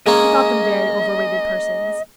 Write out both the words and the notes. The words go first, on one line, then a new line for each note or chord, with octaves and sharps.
He thought them very over-rated persons.
G#3 A#3 C#4 D#5